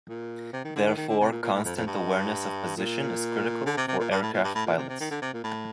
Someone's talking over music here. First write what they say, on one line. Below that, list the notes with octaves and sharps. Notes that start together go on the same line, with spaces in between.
Therefore, constant awareness of position is critical for aircraft pilots.
A#2
C3
D#3
D3
D#3
D#3
D3
C3
A#2
A#2
A2
F2
F2
G2
A#2
D3
C3
C3
A#2
G2
A2
A#2
G2
A2
A#2
C3
C3
D#3
D3
C3
A#2
A2